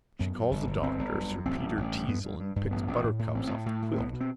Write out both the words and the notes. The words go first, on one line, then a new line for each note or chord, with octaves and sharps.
She calls the doctor sir Peter Teazle and picks buttercups off the quilt.
F#2 B3
F#2
G1
G1
G1 C4
G1
F#2
F#2
A1 C4
G2
A1
G2
G2 B3
G2
G2
G2
A1 B3
A1
A2
A2
A1 C4
A2
A2
A2
C4
B1 B3
B2
C4